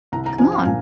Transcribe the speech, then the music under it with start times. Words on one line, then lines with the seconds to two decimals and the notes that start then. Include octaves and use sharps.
Come on,
0.12 C2 A#5
0.26 A#5
0.38 F3 G#5
0.52 F5
0.65 A#2 G#5